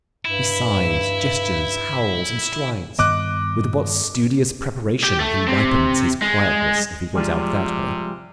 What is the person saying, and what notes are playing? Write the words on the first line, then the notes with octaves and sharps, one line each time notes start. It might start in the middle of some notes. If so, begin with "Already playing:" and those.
He sighs, gestures, howls, and strides. With what studious preparation he ripens his quietness, if he goes out that way.
G2 E4
G2 D#3 B3 D#5 D6 F#6
G4
A3
C3
G#3
C3 F3 G3 G#3